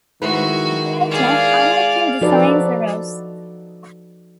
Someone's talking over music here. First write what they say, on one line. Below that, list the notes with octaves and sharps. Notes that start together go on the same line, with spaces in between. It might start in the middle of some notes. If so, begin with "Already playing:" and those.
Later, American designs arose.
D#3 G#3 E4 F#4 B4
G#4 D5 F5
F3 D#4 F#4 A4 B4 D5